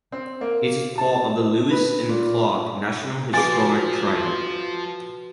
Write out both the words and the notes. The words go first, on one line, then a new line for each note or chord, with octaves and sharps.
It is part of the Lewis and Clark National Historic Trail.
C4
A#3
A5
B4
A#2
F3 F#4 G#4 B4 G#5 A6 D7